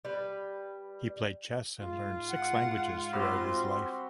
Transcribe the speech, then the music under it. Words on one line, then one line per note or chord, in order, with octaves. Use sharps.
He played chess and learned six languages throughout his life.
G3 B4
G#2 G#3 F4
F#5
G3 C4 F#4 C6